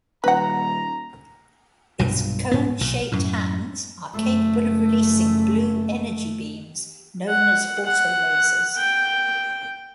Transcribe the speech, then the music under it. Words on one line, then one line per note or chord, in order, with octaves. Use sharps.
It's cone-shaped hands are capable of releasing blue energy beams, known as autolasers.
D#1 B4 F#5 A#5
B1 G2 A#2
G#2 B3
B1 A#2
F#2 A2
F#1 A3
F#5
F#5
G5